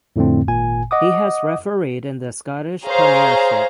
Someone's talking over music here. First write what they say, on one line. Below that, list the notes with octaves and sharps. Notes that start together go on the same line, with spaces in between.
He has refereed in the Scottish Premiership.
F2 A2 D3 A3 C4
G#1 A#2 G#5
D#5 F#5 D6 D#6
G#4 C5 C#5 F5 A#5